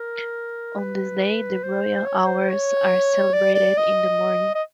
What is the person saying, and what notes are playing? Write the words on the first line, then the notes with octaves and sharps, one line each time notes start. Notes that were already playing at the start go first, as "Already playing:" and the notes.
On this day the Royal Hours are celebrated in the morning.
Already playing: A#4
B4
C5
C#5
C5
C#5
D5
D5
D#5
D#5